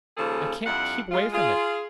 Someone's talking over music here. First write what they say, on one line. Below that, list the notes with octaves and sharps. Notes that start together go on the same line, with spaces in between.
'I can't keep away from it.
D#2 C#3 F3 G3 G#4 A4
F2 G3 D4 E4 F5 F#5
G#3 F4
F4 G#4